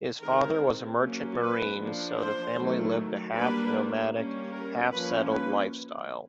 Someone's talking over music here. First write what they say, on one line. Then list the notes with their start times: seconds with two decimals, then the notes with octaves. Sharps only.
His father was a merchant marine, so the family lived a half-nomadic, half-settled lifestyle.
0.20 D#3 G#3 C4 A#4
0.99 F#3 A#3 C#4
1.39 B4
1.78 F3 A#3 D4
2.17 C5
2.57 D#3 F#3 A3
3.34 G3 A#3 D4 B4
4.14 G3 A#3 C#4
4.53 A#4
4.92 F3 A#3 C#4 B4
5.32 B4